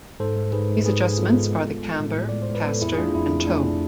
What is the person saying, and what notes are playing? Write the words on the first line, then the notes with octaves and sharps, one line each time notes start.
These adjustments are the camber, caster and toe.
G#2 A4 C5
G#3
G#2 G#4 B4
G#2
G#2 G#4 B4
G#2
G#4
B3 F4 A4
G#3
B3
B3
G#3
A2
A2
G#3 D5
C5
A2
B4
B3 A4
F2 E4 G#4
G#4
A3 D4 F4
F2 E4
F2
A3 D4